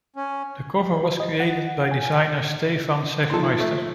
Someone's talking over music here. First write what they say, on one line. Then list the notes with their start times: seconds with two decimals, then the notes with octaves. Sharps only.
The cover was created by designer Stefan Sagmeister.
0.16 C#4
1.03 F#4
1.20 D#5
1.40 F#5
1.91 G#5
3.30 F3 D#4 A4 C6
3.60 A3